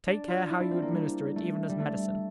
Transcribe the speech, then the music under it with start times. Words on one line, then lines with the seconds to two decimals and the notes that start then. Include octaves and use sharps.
Take care how you administer it even as medicine.
0.07 D4
0.28 F4
0.50 E4
0.60 D4
0.71 C4
0.82 A#3
0.93 G3
1.36 A3
1.69 G3
1.80 A3